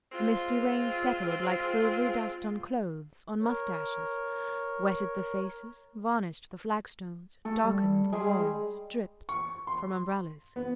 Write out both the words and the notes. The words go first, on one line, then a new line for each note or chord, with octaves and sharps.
A misty rain settled like silvery dust on clothes, on moustaches; wetted the faces, varnished the flagstones, darkened the walls, dripped from umbrellas.
G#3 C4 F4
A#4 C#5
A3 A4
G3
G3 G#3 G#4
C#6
C6
B3